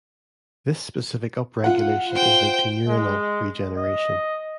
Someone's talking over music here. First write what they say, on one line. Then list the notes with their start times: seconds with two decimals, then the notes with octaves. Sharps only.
This specific upregulation is linked to neuronal regeneration.
1.64 F4 F#5
2.12 C5 G5
2.88 G#3
3.77 D#5